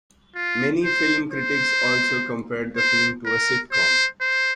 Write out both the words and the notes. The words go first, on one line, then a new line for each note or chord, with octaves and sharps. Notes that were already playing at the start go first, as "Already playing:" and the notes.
Many film critics also compared the film to a sitcom.
F4
C5
C5
C5
A#4
C5
C5